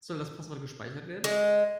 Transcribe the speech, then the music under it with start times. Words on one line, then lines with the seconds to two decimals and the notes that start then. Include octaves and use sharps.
Soll das Passwort gespeichert werden?
1.24 G#3